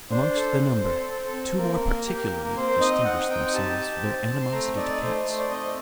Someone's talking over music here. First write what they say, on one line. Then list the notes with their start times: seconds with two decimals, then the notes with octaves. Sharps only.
Amongst the number, two more particularly distinguished themselves for their animosity to cats.
0.11 D4 C5
0.36 A4
0.60 C4
0.84 A4
1.09 C4 A4
1.26 A4
1.33 C4
1.58 A#3 A#4
1.82 A#3
2.07 G4
2.32 A#3
2.44 A#4
2.56 C4 C5
2.80 D#4 D#5
3.05 C4 F#5
3.30 D#4 G5
3.54 G4 A5
3.78 G4
4.04 C4
4.28 C4
4.41 C6
4.52 A3 A#5
4.76 D#4 D5
5.01 A3 C5
5.25 A3
5.39 D5
5.50 C4 D#5